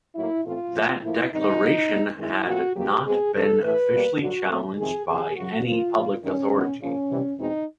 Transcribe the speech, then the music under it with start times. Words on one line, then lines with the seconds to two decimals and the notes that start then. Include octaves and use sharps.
That declaration had not been officially challenged by any public authority.
0.15 A2 F#3 A#3 E4
0.44 A2 E3 A3 C4 F4
0.73 A2 F3 A#3
1.02 A2 F3 A#3 E4
1.31 G2 D#3 G3 C4 D#4
1.60 B2 F#3 A#3
1.89 G2 D#3 G3 B3
2.18 G2 D#3 G#3 C4 E4
2.46 A#2 F3 A3 C4 F#4
2.76 E2 C#3 F#3 A#3 G4
3.05 B2 G#3 C4 G#4
3.33 F#2 C#3 F3 A4
3.62 A2 E3 A3 B4
3.91 B2 G3 A#3
4.20 G2 D3 F#3 F#4
4.50 A#2 F#3 A3 C4
4.78 F2 C3 D#3 G#4
5.07 E2 C3 F3 G#4
5.36 F#2 C#3 F#3 F#4
5.65 G#2 F3 A#3 F4
5.94 A#2 F3 A#3
6.23 F#2 D#3 G3 C#4
6.52 G2 D#3 G#3 B3
6.81 C#3 F3 A#3 C#4
7.10 C3 E3 G3 C4
7.39 E2 B2 G#3 C4 D#4